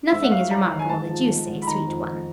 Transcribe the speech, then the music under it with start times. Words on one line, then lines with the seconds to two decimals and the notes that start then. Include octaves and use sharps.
"Nothing is remarkable that you say, sweet one!"
0.12 G#2 E5
0.23 F#5
0.32 F#3 F5
0.51 F#3 A#5
0.71 D#3
0.79 G#5
0.89 G#2 A5
1.09 F3
1.29 G#2
1.47 G#2
1.62 B5
1.67 D#3 A#5
1.87 F2
2.06 F2